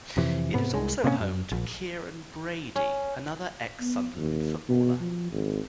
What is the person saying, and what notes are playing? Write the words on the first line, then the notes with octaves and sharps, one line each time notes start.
It is also home to Kieron Brady, another ex-Sunderland footballer.
F2 C3 E3
G#2 C3 B3
C2 G#3
C3 A#3 B3 C#4
F#2
A#1
C#4
B3
D#2
B2
F3
G#1